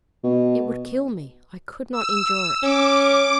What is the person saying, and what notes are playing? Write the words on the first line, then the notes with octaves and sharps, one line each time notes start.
It would kill me; I could not endure it.
B2
E6
C#4 D6